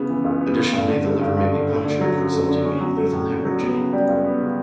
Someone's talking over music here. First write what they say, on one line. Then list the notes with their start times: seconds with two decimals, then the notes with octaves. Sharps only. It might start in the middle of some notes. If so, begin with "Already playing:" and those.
Additionally, the liver may be punctured, resulting in lethal hemorrhaging.
Already playing: C#3 B3
0.09 E3
0.25 C#2
0.41 B3
0.57 C#3
0.73 G2
0.88 D3
1.05 A3
1.21 G2
1.37 G2
1.53 D3
1.68 A3
1.85 D3
2.01 F#3
2.17 F#2
2.32 A3
2.49 D3
2.65 C#4
2.81 F#3
2.97 A3
3.13 A2
3.29 C#4
3.45 F#3
3.61 B3
3.77 C#3
3.93 G3
4.09 C#2
4.24 B3
4.41 C#3